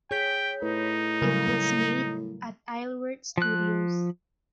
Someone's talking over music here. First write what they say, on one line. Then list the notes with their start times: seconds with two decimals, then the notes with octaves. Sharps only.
It was made at Isleworth Studios.
0.11 G#4 C#5 G5 G6 B6
0.62 A2 D#4 B4
1.22 C#3 F#3 G3 A#4
3.38 F3 F#6